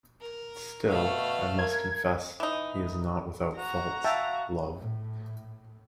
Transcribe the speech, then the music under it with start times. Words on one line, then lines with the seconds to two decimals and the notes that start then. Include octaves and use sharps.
Still, I must confess he is not without faults, love.
0.21 A#4
0.88 B2 A3 F5
1.59 A#4 G#6
2.40 E3 D#4
3.57 F#4 A#5
4.04 E5 F5 G5 A5
4.77 A2